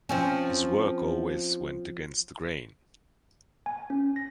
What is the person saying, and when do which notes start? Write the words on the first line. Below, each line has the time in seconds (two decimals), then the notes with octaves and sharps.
His work always went against the grain.
0.09 F3 C4 C#4
3.66 G#5
3.90 C#4
4.16 A#6